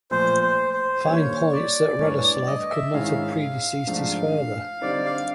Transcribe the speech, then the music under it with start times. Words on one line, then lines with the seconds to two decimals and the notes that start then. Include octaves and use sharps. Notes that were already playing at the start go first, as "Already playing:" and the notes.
Fine points that Radoslav could not have predeceased his father.
0.11 A#2 F3 A3 C5
0.43 C5
0.73 C5
1.05 D#3 G3 A#3 C#5
1.52 D5
1.99 G2 E3 A3 D4 C#5
2.23 D5
2.46 D#5
2.70 E5
2.93 G#2 D#3 G#3 C#4 E4 F5
3.87 G#2 F3 A3 D4
4.81 D3 G3 C4 D#4 D5
5.06 F5